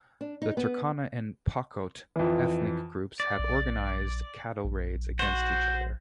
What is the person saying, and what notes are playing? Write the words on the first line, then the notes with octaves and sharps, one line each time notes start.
The Turkana and Pokot ethnic groups have organized cattle raids against each other.
D4
D#4
B3
F2 E3
D5
A#1
A#1
F#4 C5